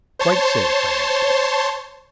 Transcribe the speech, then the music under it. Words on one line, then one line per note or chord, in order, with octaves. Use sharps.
"Quite safe," I answered.
C5 C#5 A5 C6